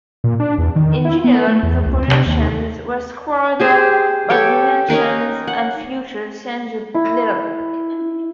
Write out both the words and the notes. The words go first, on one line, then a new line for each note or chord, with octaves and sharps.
In general, proportions were squared up but dimensions and features changed little.
A#2
D4
E2
D#3
E4
B3
A3
E2
C#2
C3
D#2
G4 G#4 C5
G4 A4 C#5 G5
C#4 D#4 A#4 B4
F#5
E4